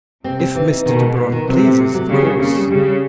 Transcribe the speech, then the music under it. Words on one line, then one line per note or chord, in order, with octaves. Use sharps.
If Mr. De Baron pleases, of course.
C3 C4
C4
E3
D#4
B2 D#3
G#3
B3
D#3
C3 F#3
A3
F#3
F#3
C#3 G3
G3
C#3 A#3
G3
C#3 G3
G3